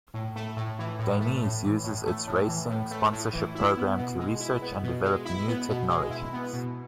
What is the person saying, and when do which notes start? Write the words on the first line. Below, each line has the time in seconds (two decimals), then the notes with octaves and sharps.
Dainese uses its racing sponsorship program to research and develop new technologies.
0.14 A2
0.36 A3
0.57 A2
0.79 E3
0.99 A2
1.20 A3
1.42 A2
1.64 E3
1.84 A2
2.06 A3
2.28 A2
2.48 E3
2.70 A2
2.91 A3
3.12 A2
3.33 E3
3.55 E4
3.77 B3
3.97 B2
4.19 G#3
4.40 E4
4.62 B3
4.83 B2
5.04 G#3
5.25 E4
5.48 B3
5.69 B2
5.89 G#3
6.11 E4
6.33 B3
6.53 B2